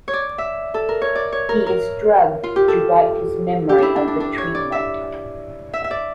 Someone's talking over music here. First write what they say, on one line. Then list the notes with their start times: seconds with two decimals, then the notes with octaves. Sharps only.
He is drugged to wipe his memory of the treatment.
0.08 C#5
0.13 D5
0.38 E5
0.74 A4
0.89 A#4
1.01 C#5
1.15 D5
1.32 C#5
1.49 A#4
1.66 A#4
2.43 F4
2.56 G4
2.68 A4
3.69 G4
3.78 D4 E4
3.96 D4
4.08 D4
4.20 D4
4.38 C#5
4.55 D5
4.72 E5
5.73 E5
5.84 E5
5.91 D5